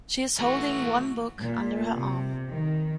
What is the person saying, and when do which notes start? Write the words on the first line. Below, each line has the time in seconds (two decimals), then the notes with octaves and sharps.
She is holding one book under her arm.
0.39 E3 A3 F#4
1.41 A#2
1.94 C3
2.50 D#3